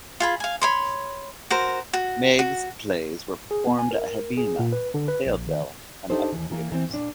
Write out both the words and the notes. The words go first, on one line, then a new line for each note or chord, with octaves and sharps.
Megged's plays were performed at Habima, Ha-Ohel and other theaters.
F4 G#4 B5
F5 G#5
C#5 B5 C6
F#4 A#4 C5
F#4
F#4
G#4
B3
G#5
A#4
G#4
A#2
B4
D3
B4
A#1
D#3
D4 D#4 G4 A4 C5
D#2 E3
E3 A#3
E3 C4
A#2 D4